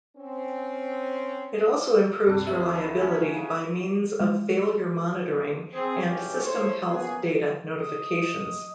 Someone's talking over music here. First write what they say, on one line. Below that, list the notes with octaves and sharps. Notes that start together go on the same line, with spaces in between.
It also improves reliability by means of failure monitoring and system health data notifications.
C4 C#4
D2 G2 C3 G3 D4
D2 A2 C3 F#4 G4 C5 E5
F#3 E4
A#3 C#4
C#3 C#5
G#3
C4 G#4
F#1 C2 F#2 E3 C#4 G4
E4 A4 C5 C#5
C#3 A#3 B3 F#4 G#4
D#5